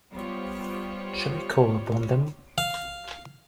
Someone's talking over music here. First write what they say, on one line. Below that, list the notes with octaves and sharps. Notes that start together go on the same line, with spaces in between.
Shall I call upon them?
G3 B3 F4 G4 C5 C#5
F5